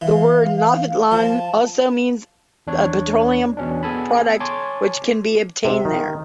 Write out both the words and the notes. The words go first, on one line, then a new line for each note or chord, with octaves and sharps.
The word "naftalan" also means a petroleum product which can be obtained there.
E3 F5
F3 A5
E2 D4 C#5
E2 B2 C#4 D4
B3 G#4 A4 G#5 A5 B5
C#5 G#5 A5 C6 D6
C3
D#3